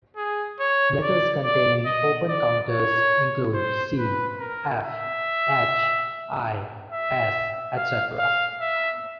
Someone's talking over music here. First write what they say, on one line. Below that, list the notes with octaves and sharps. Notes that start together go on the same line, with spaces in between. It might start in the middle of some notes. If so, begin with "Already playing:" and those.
Letters containing open counters include c, f, h, i, s etc.
G#4
C#5
D5
D5
D#5
D5
C#5
C5
B4
A#4
E5
E5
F5
F5
E5